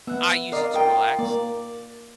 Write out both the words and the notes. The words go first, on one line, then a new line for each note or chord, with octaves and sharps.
I use it to relax.
B3 E5 F#5
A#4 D5 D#5 F5 D#6
F4 A#4 G5 D#6
A#3 D5